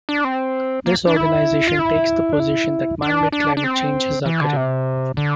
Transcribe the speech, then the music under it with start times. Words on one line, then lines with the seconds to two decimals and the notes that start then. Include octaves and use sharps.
This organization takes the position that man-made climate change is occurring.
0.09 D4
0.24 C4
0.86 A#3
1.07 D4
1.16 E4
1.68 F4
1.79 E4
2.33 D4
2.39 E4
3.02 D4
3.32 D4
3.57 D4
3.64 C4
4.26 E3
4.41 D3
4.56 C3
5.17 D3